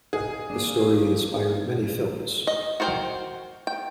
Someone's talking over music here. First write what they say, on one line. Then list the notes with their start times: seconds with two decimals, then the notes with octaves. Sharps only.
The story inspired many films.
0.13 G#4 A#4 D#5 G#5
0.50 A#3 D4
2.47 D#5
2.80 F#4 A#4 C5 C#5 G5
3.67 G5